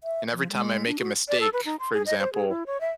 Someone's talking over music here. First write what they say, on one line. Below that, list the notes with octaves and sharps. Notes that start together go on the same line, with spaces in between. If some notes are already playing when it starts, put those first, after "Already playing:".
and every time I make a mistake, for example,
E5
F3
G#3
D4
F#4
D5
A4
B4
D#4
C6
G#4
D#5
C5
G#4
E4
C#5
E5